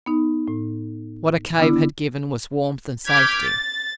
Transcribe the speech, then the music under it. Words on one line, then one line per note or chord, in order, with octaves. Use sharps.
What a cave had given was warmth and safety.
B3 D#4
A2
D3 B3 D4 E4
D6 F6 G6 G#6 B6
A6